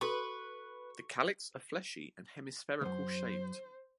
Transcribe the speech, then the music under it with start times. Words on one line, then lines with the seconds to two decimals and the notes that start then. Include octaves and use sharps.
The calyx are fleshy and hemispherical shaped.
0.01 F#4 A4 B4 C#6
2.81 C#2 F#2 C5